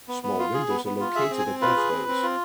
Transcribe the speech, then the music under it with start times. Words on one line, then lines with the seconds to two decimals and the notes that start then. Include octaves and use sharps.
Small windows are located above those.
0.08 B3
0.23 B3
0.39 F4
0.54 G#4
0.69 B3
0.85 B3
1.00 F4
1.15 G#4 E5
1.30 C4
1.39 G#5
1.46 C4
1.61 F4 B4
1.77 G#4
1.92 C4
2.08 C4
2.23 F4